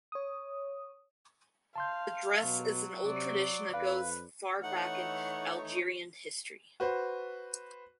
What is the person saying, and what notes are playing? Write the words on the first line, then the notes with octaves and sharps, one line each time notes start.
The dress is an old tradition that goes far back in Algerian history.
C#5 D#6
F5 A5 C6 G6
B2 F#3
C3 D5
F2 B4 F5
E3 A3 D#4 C#5 F#5
F#4 B4 C5